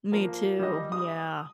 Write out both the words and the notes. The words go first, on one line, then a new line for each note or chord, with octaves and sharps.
Me too, yeah.
F3 A#3
G3 D#5
D#6